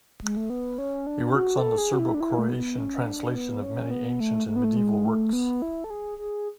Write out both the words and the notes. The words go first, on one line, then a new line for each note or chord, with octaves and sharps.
He works on the Serbo-Croatian translation of many ancient and medieval works.
G#3
A3
B3
C#4
D4
F#4
A4
G#4
F#4
E4
D4
E4
A3
B3
C#4
D4
B3
C#4
B3
A3
A3
B3
A3
G#3
A3
B3
E4
A4
G#4
G#4